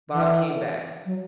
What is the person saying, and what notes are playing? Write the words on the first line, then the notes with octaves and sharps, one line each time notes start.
Bob came back.
E3
F#3